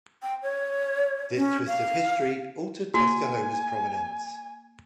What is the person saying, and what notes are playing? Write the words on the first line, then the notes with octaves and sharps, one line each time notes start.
This twist of history altered Tuskahoma's prominence.
G5
C#5
C#4
F5
A#3 F#4 G#5